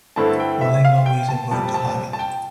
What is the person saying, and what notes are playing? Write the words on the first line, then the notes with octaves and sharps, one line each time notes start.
All I know is, I'm going to have it.
G2 D3 A3 C4 E4 A5
G5
E5
F5
G5
A5
F2 C3 G3 A5
A5
A5
G5